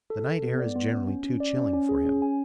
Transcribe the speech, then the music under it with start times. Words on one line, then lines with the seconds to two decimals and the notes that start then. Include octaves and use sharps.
The night air is generally too chilling for him.
0.10 A4
0.26 A4
0.43 B3
0.59 D5
0.75 B3
0.92 C#4
1.08 C#4
1.24 C#4
1.40 D5
1.57 C#4
1.73 C#4
1.89 G#4
2.06 C#4
2.22 G#5